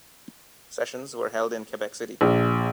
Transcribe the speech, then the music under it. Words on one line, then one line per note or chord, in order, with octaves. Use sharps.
Sessions were held in Quebec City.
A#1